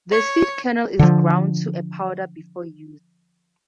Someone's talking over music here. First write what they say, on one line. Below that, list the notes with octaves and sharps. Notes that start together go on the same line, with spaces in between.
The seed kernel is ground to a powder before use.
C#5
D3 F3